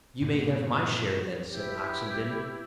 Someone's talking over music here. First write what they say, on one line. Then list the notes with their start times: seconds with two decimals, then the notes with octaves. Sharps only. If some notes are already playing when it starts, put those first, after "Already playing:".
"You may have my share, then," said Oxenden.
0.22 G2 A#2 A#3 C4
1.50 E4 G4 B4 D6